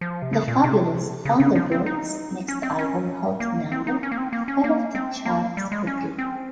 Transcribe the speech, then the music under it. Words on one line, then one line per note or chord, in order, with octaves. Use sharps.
The Fabulous Thunderbirds' next album, "Hot Number", fell off the charts quickly.
F3
C3
C#3
A#2
C3
C#3
C#3
F3
C4
D#4
C#4
C4
C#4
A#3
C4
D#4
C#4
A#3
C4
A#3
C#4
A#3
C4
A#3
G3
G#3
C#4
C4